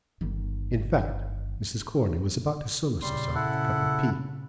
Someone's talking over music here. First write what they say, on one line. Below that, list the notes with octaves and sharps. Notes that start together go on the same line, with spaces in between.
In fact, Mrs. Corney was about to solace herself with a cup of tea.
G1 D#3
A#2 C#3 G3 C6
E4 A4 F#5